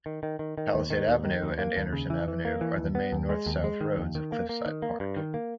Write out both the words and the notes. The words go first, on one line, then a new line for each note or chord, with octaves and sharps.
Palisade Avenue and Anderson Avenue are the main north-south roads of Cliffside Park.
D#3
D#3
D#3
D#3
D#2
D#3
D#2
D#3
D#2
A#3
D#2
C#3
E3
E3
A#3
E3
D#2
B3
D#2
G#3
D#2
G#3
D#3
D#2
D#3
A#3
A#3
D#3
A#3
G2
D#3
A#3